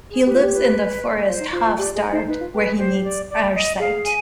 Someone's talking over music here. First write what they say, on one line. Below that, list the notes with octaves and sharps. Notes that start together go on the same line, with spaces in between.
He lives in the forest half-starved, where he meets Arcite.
G#4
G4 B4
F4
G4
B4
F4 C5
D#4
F4 C5
F4
G4 D5
G#4 D#5
D#4 C5
D#4 B4
F4
G4 B4
G#4
G4 C5
D5
D5
D#5
G#4 F5
G#5